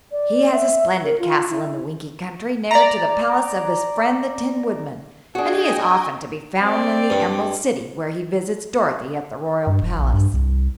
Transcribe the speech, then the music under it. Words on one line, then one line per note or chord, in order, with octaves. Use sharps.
"He has a splendid castle in the Winkie Country, near to the palace of his friend the Tin Woodman, and he is often to be found in the Emerald City, where he visits Dorothy at the royal palace."
D5
E5
A#4
F4
E4
D5 A#5
D4 F#4 G#4 D#5 G5 G#5
C4 D5
G2
G2
E1
A#1
G2
C2